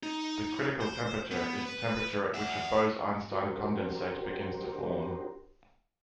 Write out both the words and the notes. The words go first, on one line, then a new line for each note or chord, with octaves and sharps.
The critical temperature is the temperature at which a Bose-Einstein condensate begins to form.
D#4
C5
B3
B4
E5 F#5
D4 F#4 G4 A#4 C5